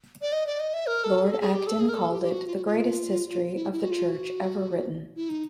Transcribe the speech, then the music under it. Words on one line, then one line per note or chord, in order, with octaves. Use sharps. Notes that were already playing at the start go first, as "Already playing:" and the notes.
Lord Acton called it the greatest history of the Church ever written.
D5
D#5
D5
D#5
E5
A#4
A4
G#4
A4
G#4
G4
A4
G#4
A#4
A4
G4
G4
F#4
F4
F#4
F4
E4
E4
F#4
F4
F#4
E4
D#4